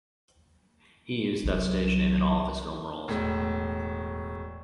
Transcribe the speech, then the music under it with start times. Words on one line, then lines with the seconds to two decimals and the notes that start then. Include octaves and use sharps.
He used that stage name in all of his film roles.
1.44 C2 F#3
3.08 E1 A2